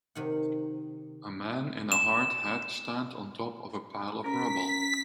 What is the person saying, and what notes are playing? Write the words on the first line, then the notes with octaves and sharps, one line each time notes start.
A man in a hard hat stand on top of a pile of rubble.
C3 D#3 F#5
E7
C#4 A#4 B6